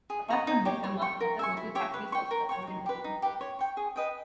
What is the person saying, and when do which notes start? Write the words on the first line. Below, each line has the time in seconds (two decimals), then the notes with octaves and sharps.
Apart from Befama, other local factories also supported the club.
0.10 G#4
0.28 D#5 A#5 C#6
0.47 D#4
0.65 G4 C#5
0.84 C#5
1.02 G5 C#6
1.21 A#4
1.39 E5 G#5 C#6
1.57 E4
1.75 G4 C#5 E5
1.94 B4
2.12 G5 C#6
2.31 A#4
2.49 C#5 G5 C#6
2.67 D#4
2.86 G4 B4
3.04 D#4
3.22 G4 B4
3.41 C#5
3.59 G5 C#6
3.77 G#4
3.96 B4 D#5 G5